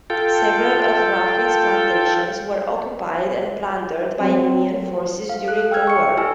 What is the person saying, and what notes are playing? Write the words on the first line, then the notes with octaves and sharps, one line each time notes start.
Several of Ruffin's plantations were occupied and plundered by Union forces during the war.
F4 A4 G5
F#3 C4
F5
A4 F#6
G5 E6 F6 G#6
C#6 C#7
E4 G4 A4 G#5 E6 F6